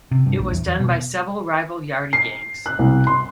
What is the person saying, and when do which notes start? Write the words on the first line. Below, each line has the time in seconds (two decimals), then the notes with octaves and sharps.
It was done by several rival yardie gangs.
0.11 C3
0.26 G2
0.39 A#1
0.51 E2
0.67 E2
0.80 B2
2.13 C7
2.66 F#6
2.79 C2
3.07 C6